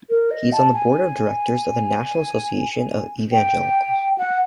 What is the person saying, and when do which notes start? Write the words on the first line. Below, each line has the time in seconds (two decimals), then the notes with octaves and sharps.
He is on the board of directors of the National Association of Evangelicals.
0.10 A#4
0.31 D#5
0.53 A5
0.74 G#5
3.32 G5
4.18 F#5